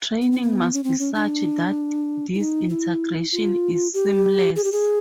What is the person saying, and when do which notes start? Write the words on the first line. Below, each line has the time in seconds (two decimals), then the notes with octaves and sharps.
Training must be such that this integration is seamless.
0.22 B3
0.32 C4
0.43 B3
0.73 C#4
0.84 C4
0.99 C#4
1.14 D4
2.34 E4
2.39 D#4
2.69 E4
3.32 F4
3.94 G4
4.56 G#4
4.64 G4
4.72 G#4